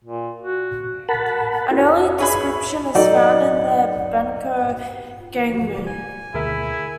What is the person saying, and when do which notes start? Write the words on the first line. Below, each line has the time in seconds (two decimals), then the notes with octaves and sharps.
An early description is found in the Bencao Gangmu.
0.04 A#2
0.42 F#4
1.09 A#4 F#5 A5 B5
1.71 E4 F#4 A4 A#4 C5
2.18 F#4 G#4 B4 C#5 E5 B5
2.95 F#3 D#4 A4 D5
5.86 G#5
6.34 D2 B2 D#3 E4 G#4 A#4 E5